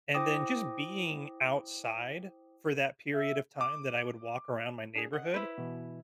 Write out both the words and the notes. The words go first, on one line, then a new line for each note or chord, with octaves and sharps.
And then just being outside for that period of time that I would walk around my neighborhood
E4 C5 G5 D6 D#6 A#6
E5
D6
D4 G#4
D#5 F#5
E4 B4 C5
B2 E3